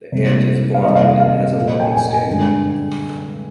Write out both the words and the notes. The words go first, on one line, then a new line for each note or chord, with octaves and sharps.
The ant is blind and has a long sting.
C3 G3 A#3
F5
C3 D#3 G3 A#3 D#5
F5
F5
F5
A#2 F3 A#3
D#5
G5
G#5
G#5
G2 D3 G#3